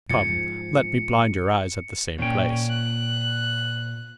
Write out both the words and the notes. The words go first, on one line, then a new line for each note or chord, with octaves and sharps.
Come, let me blind your eyes at the same place.
G#2 F3 C#7
A#2 C#4 G5
F#6